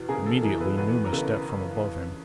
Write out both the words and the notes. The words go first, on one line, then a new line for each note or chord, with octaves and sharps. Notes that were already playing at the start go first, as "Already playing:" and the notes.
Immediately Numa stepped from above him.
Already playing: E2 B2
C#3 G#4 A#4
A4
E3 G#4 A#4
A4 B4
E2 A4 B4
A#4
C#3 A4 B4